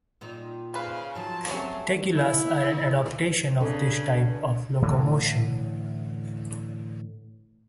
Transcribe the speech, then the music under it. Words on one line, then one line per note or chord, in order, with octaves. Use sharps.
Tegulaes are an adaptation of this type of locomotion.
A#2 D#3 D#4
C#3 B4 C5 F5
D#3 F3 F#3 A5
F#3 A3 C4 C#4 G4
E4
C#3 D4 A4 B4
A2 D3 E3